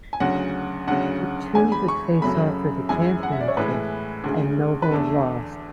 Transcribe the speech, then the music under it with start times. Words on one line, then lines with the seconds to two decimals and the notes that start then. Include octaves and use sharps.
The two would face off for the Championship and Noble lost.
0.13 G#5
0.20 D2 C#3 F#3 F#5
0.87 D2 C#3 F#3 F#5
1.55 E2 D3 G#3 G#5
1.72 B5
1.88 C#6
2.22 F#2 C#3 F#3 A3 B5
2.89 F#2 E3 G#3 G#5
3.23 F#5
3.32 E5
3.40 D5
3.48 C#5
3.57 A2 E3 G#3 B4
4.24 D2 C#3 G#3
4.82 B4
4.91 E2 D3 A3 A4